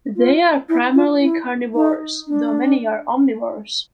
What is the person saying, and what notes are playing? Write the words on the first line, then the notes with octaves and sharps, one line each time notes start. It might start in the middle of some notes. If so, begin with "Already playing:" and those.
They are primarily carnivorous, though many are omnivorous.
F4
E4
F4
E4
D#4
D4